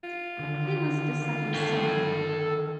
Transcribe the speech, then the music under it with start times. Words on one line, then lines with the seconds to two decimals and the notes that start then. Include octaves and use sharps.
He was the second son.
0.04 F4
0.39 D3 D#3
1.54 A4 G5